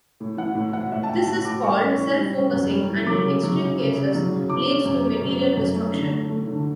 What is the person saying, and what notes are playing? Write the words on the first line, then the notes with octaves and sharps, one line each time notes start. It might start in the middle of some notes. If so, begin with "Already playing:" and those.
This is called self-focusing and in extreme cases leads to material destruction.
A2
E3 F#5
A2
E3 F#5
A2 E5
A5
A2 G5
A2 A5
A2 D6
G3 C#6
C#4
E3
G3
C#4
F#2
G3
E3
F#3 D6
C#3
F#3
C#3
C#3
C#3
F#3
C#3
E3 D6
C#4
F#2
A3
F#2
C#4
F#2
A3
D3
A3
A3
D3